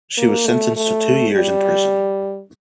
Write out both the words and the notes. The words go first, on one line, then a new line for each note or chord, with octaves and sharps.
She was sentenced to two years in prison.
A#3
A3
A3
G3